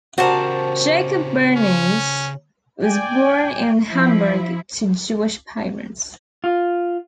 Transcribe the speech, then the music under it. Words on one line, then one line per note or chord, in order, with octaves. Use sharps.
Jacob Bernays was born in Hamburg to Jewish parents.
C#3 F#4 G4 A#4 C5 D5 A5
C#4
D5 G5 G#5
F3 E4
F4